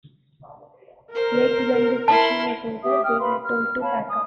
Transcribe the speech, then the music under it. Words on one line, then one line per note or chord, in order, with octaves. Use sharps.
Yet when the session was over, they were told to pack up.
A#4 C5
E4 A5 C6
G4 E5 D#6
G5 D#6 F6
B4 F5 B5 C6
F6
C#5 F5 A5 B5
G#5 D#6